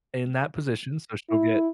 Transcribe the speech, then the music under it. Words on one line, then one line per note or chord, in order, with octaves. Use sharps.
in that position, so she'll get
E4